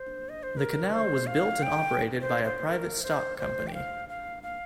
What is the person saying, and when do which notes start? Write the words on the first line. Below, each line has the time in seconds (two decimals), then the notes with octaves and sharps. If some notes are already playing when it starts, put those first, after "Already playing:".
The canal was built and operated by a private stock company.
Already playing: C5
0.29 D#5
0.43 C5
0.57 A#4
0.93 C5
1.27 F5
1.63 G5
2.21 C5
2.44 C5
2.67 A#4
3.03 C5
3.38 C5
3.67 G5
3.74 F5
4.09 F5
4.43 F5